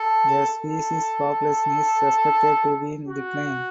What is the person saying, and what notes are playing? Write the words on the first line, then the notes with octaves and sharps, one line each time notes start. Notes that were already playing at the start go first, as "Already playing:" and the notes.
The species’ population is suspected to be in decline.
Already playing: A4
A4
F#4